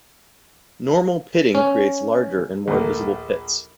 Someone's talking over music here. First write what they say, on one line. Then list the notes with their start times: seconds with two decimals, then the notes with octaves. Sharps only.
Normal pitting creates larger and more visible pits.
1.55 C#4
2.68 A#1 D#2 A3 A#3